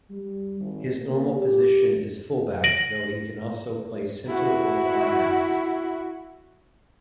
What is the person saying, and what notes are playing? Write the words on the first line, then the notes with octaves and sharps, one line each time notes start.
His normal position is fullback though he can also play centre or fly-half.
G3
G#1
A#3
G4
A#6 D7 D#7 F#7
E4 F#4